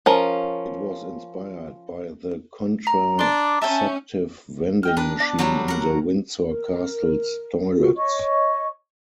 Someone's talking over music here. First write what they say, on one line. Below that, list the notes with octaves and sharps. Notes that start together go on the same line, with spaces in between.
It was inspired by the contraceptive vending machine in the Windsor Castle's toilets.
F3 C#4 A#4
A#5
D4 D5 C6
C#4 E5 G5 A5
D#5 G5 F6
D4 A#4 B4 B5
B3 D5 A5
F#3 G3 D4
A#4 F#5
A#4
F4 F#4 G#4 A#4
C#5 D#5 C#6